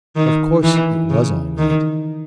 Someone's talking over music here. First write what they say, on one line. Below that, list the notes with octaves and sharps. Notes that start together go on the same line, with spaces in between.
Of course it was all right.
D#3
E3
C#3
D#3